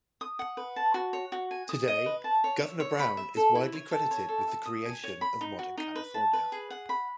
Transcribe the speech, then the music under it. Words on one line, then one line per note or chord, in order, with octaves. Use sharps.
Today, Governor Brown is widely credited with the creation of modern California.
D#6
F#5
B4
A5
F#4
C#5
F#4
G#5
D#6
D#5
B4
A5
C#5
E5
C#5
B5
E5
A4
E4
C#5
A4
C#5
A4
E5
D#6
G#5
C#5
B5
D#4
F#4
D#4
B4
A5
B4
G#4
F#5
B5